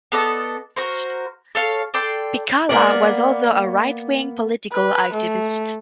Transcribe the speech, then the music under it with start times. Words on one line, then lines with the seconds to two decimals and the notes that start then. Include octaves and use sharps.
Pihkala was also a right-wing political activist.
0.12 B3 A4 D5 D#5
0.76 F#4 A#4 C5
1.55 A4 C#5 F5
1.94 A4 D5 G5 C6
2.69 A#3 B3 D5
4.72 B4
5.14 A3